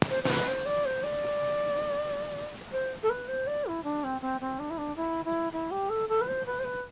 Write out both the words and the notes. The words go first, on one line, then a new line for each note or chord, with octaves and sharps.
It is part of City of Lismore.
C5
C5
B4
C5
D5
C5
D5
C5
A4
B4
C5
D5
E4
D4
C4
C4
C4
D4
E4
D4
E4
E4
E4
G4
A4
A4
B4
C5
B4
C5
B4